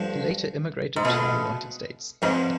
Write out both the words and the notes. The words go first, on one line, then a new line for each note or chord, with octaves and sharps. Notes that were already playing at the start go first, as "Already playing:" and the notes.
He later immigrated to the United States.
Already playing: G2 D3 F3
G#2
D2 B2 D3 G#3 B3 F4
F2 G#2 D3 F3 B3 F4